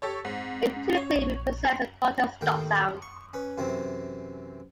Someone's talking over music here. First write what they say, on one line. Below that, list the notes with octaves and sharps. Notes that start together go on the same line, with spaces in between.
It typically represents a glottal stop sound.
G4 A4 C#5
G#2 C4
C#4
C#5
A#1
D#2 A2 D#3 G5
C#6
C#4 B4
F#2 C3 E3 C4